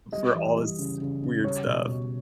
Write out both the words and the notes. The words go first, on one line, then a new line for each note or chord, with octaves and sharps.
for all this weird stuff.
G3 D#5
E3
G3
C#3
C#3
C#3
G3 C#5
B2
B2